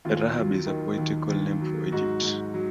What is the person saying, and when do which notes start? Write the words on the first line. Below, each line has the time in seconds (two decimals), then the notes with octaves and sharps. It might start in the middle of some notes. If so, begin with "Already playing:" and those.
Rahab is a poetical name for Egypt.
0.05 D#2 F4
0.36 F#3
0.67 D#3
0.98 D#2
1.29 D#2
1.61 F#3
1.92 G#2 F#4
2.23 G#2
2.54 F#3